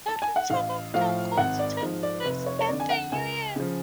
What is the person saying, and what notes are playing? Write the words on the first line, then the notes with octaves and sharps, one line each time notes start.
The return of the ghosts takes place at the New Year.
A5
G#5
F#5
A1 F5
A2 F3 F5
G#1 F#5
D5
G#2 F3
D5
F1 B4
C#5
C#5
F2 D3 D5
G#5
F#5
C#2 G#5
C#3 F3